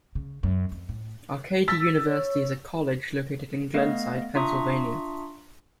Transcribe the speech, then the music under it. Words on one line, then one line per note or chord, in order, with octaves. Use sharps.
Arcadia University is a college located in Glenside, Pennsylvania.
C#3
F#2
F2
A2
E6 A6 B6
C#5
A3 B3 D#5 F5
D4 F4 E5 A#5 C#6 D#6